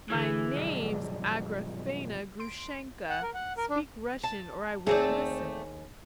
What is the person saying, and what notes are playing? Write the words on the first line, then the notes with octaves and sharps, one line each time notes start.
"My name's Agrafena, Grushenka, speak Russian or I won't listen!"
D3 E3 G#4
B1 G2
C6 D7
F#5
A#4
F#5
A#4
D4
A5
D#2 A3 C4 G#4 D5